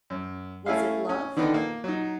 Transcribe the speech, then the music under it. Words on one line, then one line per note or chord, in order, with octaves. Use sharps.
Was it love?
F#2
A3 C#4 E4 G#4 E5 F5
C#4
D3 D#3 B3 D#4
A#3
F#3 D#4